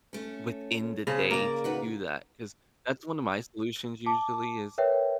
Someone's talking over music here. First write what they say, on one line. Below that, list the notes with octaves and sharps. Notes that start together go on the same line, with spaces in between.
within the day to do that, 'cause that's one of my solutions usually is
A3 C#4
C#3 C4 G#4 A5
A#3 A#4 D5
D#3 F#4 B4
A5 D6
A#4 B4 C#5 E5 G5